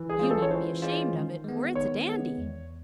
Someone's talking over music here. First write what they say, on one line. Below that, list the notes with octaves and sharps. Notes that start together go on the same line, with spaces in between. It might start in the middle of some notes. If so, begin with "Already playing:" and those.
You needn't be ashamed of it, for it's a dandy.
Already playing: E3
G#4
G#3 C#4 F4
A4
C#5
E3 C5
G#3 C#4 F4
D#3
G#3 B3
D#3 C#5
G#3 B3
E2